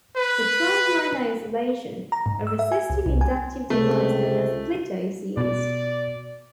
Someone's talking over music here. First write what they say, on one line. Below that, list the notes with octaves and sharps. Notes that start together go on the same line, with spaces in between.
For trunk line isolation, a resistive inductive device known as splitter is used.
B4
A#5
G#2
E6
E5
G#5
C#2
C2
G#5
C#2 C3 A3
B2 D5